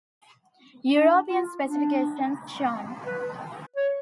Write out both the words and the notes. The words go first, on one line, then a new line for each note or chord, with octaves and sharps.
European specifications shown.
D4
F4
D4
B4
C#5